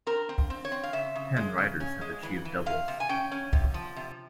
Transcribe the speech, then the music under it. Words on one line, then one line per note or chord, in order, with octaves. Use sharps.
Ten riders have achieved doubles.
C4 A#4
C4
C4
C#5
C4
F5
C#3 E5
C#3
G#3
C#3
C#4
G#3
E3
E3
C3 F5
C3
G#5
C#4 G5
C#4
C3
F3
C3